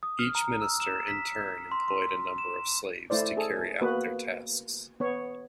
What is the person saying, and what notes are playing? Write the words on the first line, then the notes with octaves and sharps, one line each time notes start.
Each minister in turn employed a number of slaves to carry out their tasks.
D#6
F6
A#5
E6
E7
B6
C6
C6
E7
A3 E4 C5 D5
G#4 A4
A#3 B3 F#4 B4
B3 C#5